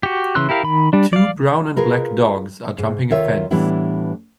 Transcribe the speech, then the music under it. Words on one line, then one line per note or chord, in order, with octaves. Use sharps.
Two brown and black dogs are jumping a fence.
F#4 G4
C#3 E3 C6 E6 F#6
E4 G4 A#4 F5
D#3 B5
G3 D4
D5 F5
F4 G#4 A#4 B4
G#2
D2 D#3 F4 A#4 C#5 E5
A2 E3 G3 B3 D4 E4